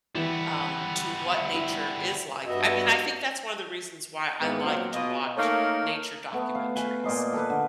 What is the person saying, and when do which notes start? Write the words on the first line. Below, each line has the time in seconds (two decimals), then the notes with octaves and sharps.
um, to what nature is like I mean, I think that's one of the reasons why I like to watch nature documentaries.
0.15 E3 G3 B3 E7
1.30 E5
1.54 E4
2.46 G2 B3 F#4 D#5 E5
4.41 G#2 E3 A#3 B3
4.64 A#2 F#3 A#3 C4
4.93 B2 F4 D#5
5.37 A3 A#3 D#4 A#4 C#5
6.32 A3 B3
6.55 F5
6.75 B4 G#5
7.04 A#2 D5 D#5 C6
7.33 A4 B4
7.50 D3